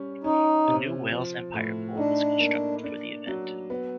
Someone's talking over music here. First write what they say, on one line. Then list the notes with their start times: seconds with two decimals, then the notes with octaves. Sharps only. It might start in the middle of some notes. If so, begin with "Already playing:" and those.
A new Wales Empire Pool was constructed for the event.
Already playing: G3 C#4
0.24 C#4 D#4
0.68 C3
1.11 F3
1.54 A2
1.97 D4 D#4
2.40 A#3
2.84 D4
3.27 F#3
3.70 B3